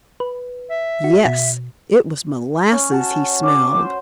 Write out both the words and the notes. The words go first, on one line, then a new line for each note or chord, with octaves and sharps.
Yes, it was molasses he smelled!
B4
E5
F#4
B2
C#4
F#4 A5
C#4 B4 D6
C5 C6